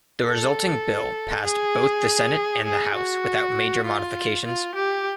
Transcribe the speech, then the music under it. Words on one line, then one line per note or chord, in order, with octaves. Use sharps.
The resulting bill passed both the Senate and the House without major modifications.
A4
G#4
G#4
F#4
F4
F4
G4